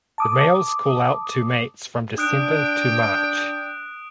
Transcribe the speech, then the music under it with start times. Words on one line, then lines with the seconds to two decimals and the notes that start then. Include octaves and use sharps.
The males call out to mates from December to March.
0.18 A5 D6 D#6
2.18 D4 G5 D#6 F#6 D7